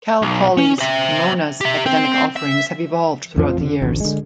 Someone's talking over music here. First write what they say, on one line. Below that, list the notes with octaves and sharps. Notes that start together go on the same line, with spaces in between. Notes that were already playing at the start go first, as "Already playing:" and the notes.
Cal Poly Pomona's academic offerings have evolved throughout the years.
B1
C#4
C5 E5
G4 E5
C4
E5
A1 F2 F3
D3
A1 D2
D3 G#3